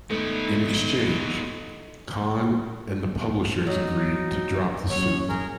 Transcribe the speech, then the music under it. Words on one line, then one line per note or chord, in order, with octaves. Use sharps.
In exchange, Cahn and the publishers agreed to drop the suit.
G2 A3 B3 D#4
F#3 D#4
F#2 C#5
G#4 A#4